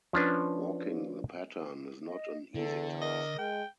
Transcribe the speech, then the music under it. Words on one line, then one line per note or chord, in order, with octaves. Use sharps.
Walking the Pattern is not an easy task.
F3 C#4 D4 B4
D#5
E2 D3 A4
A#4 D#5
G#3 G5